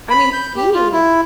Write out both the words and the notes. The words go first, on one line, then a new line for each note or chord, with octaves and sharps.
I mean, skiing
B5
G6
G4
F4
E4